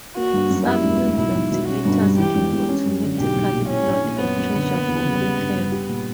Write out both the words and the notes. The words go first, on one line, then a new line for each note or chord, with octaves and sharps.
Some new ventilators can automatically plot a pressure-volume curve.
A#3 F#4
G1
F#2
G3 E4
E1
D2
B1 E4
B1
B2
C#4 F#4
G1
G2
E3 G4
E1
E2
C#4
F#2
D3
B1 G4
B1
A#2
C#4 E4
A#1
A#2
F#2 B3
F#2
D3
A#3
E2
C#3
G3
G1
G2
G4
A#2